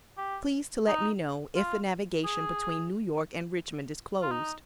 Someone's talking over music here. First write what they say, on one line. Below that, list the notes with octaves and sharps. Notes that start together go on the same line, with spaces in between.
Please to let me know if the navigation between New York & Richmond is closed.
G4
D#4
F4
G#4
F4
D#4